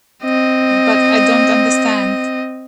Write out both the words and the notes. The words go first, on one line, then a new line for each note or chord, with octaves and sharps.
But I don't understand.
C4 D#5